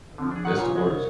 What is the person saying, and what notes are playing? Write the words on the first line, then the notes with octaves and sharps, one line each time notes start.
Like, that's the worst.
D3 F3 C4
F3 D4 G#4
D#3 G#3 F#5
A#2 C#3 F4 C#5 F5
C2 G#3
A#4